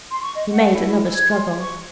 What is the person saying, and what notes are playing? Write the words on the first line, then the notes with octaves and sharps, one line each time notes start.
He made another struggle.
C6
C#6
D#5
F#5
E4
G#6
C6
C#6